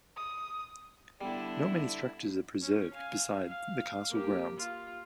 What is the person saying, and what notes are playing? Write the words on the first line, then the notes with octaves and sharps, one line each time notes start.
Not many structures are preserved beside the castle grounds.
D#6
D3 G3 B3 D4 E4
C#4
F5 G#5
F5
A#3 G4
F4